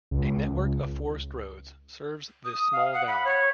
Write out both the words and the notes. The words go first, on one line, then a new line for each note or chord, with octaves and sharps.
A network of forest roads serves this small valley.
C#2
D#6
F5
F#5
B5
C#5